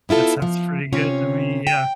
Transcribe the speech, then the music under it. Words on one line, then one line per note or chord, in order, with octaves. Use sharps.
that sounds pretty good to me, yeah.
B3 E4 F4 A4
F3
C3 C#4 F4 C#5
G5